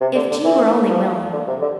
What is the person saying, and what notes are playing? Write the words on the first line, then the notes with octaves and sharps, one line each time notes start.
If T. were only willing!...
C3
D3
D3
E3
F3
D3
C3
D3